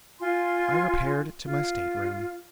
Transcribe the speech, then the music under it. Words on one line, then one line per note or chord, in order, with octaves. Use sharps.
I repaired to my stateroom.
F4 G#5 C6
F4